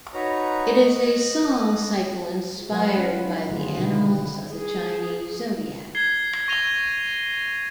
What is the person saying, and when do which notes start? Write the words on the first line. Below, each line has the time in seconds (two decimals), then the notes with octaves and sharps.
It is a song cycle inspired by the animals of the Chinese zodiac.
0.14 D#4 F#4 B4 C#5 A#5
0.73 D#5 F#6
2.53 G#3
2.70 F#3 F4 B4 D5 F5 F#5
2.97 C#4
3.21 F#3 D#4
3.51 D3 D#3 G3 A3 F4 G#4
3.77 B2 D3 D4 D#4 B4
4.54 G#4
5.95 G#6 C7 G7
6.48 C#6 A#6 D#7 F7 G7